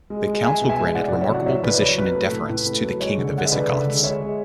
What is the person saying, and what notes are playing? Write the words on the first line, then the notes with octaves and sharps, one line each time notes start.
The council granted remarkable position and deference to the king of the Visigoths.
G#3
G#3
G#3 E5 G#5
B2
E5 G#5
G#3
A2 D5 F#5
A2 D5 F#5
C#5 E5
F#3 D5 F#5
A2 C#5 E5
F#3 B4 D5
D5
F#3 C#5
F#3 B4
A3
A2
A2
A3
F#3
G#3 C#5
D3
G#3 F#5
E5
D3 B4 D5
D3
G#3
G#3 C#5 E5
G#3